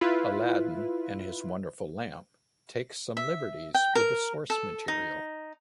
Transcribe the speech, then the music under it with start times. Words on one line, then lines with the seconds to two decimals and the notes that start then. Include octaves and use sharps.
"Aladdin and His Wonderful Lamp" takes some liberties with the source material.
0.01 E4 F4 B4
3.17 E5
3.75 G5
3.95 A#4
4.50 A4
4.88 D#4